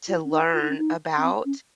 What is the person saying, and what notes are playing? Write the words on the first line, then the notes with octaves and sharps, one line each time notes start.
to learn about
F4
C#4
D#4
F4
D#4
C#4
D#4
C#4
C4
C#4